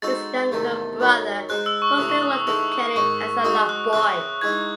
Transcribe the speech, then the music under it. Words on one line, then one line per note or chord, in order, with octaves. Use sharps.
His younger brother, Buster, worked with Kelley as a lot boy.
G#3 D#4 F#4 A4 C5 A6
E2 C3 D#3 A3
F#2 D#3 F#3
G#3 D#4 G#4 C5 F#6
E6
C#6
C3 E3 A3 D#6
C#6
D#6
D#6
E3 A3 D#4 G#4 E6
C#6
G#2 D#3 G#3 C#6
G#3 C4 D#4 F#4 D#6
F#6
C#3 E3 C4 E4 F#6
E3 G#3 D#4 G#6